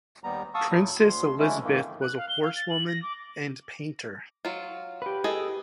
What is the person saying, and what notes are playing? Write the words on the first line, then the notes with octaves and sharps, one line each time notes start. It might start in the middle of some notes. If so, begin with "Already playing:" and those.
Princess Elisabeth was a horsewoman and painter.
D#2 G3 B3 A#5
F5 A5 C#6 D#6 E6
E2 A2 F#3 E4
D2 C6
D3 E3 G#3 A3 C#4 E4
F2 G#2 D#3 A#3
F#6
F5
G7
F5
A6
F#7
A#6
D6
F#3 F4
G4 B4
G#4 A4 D#5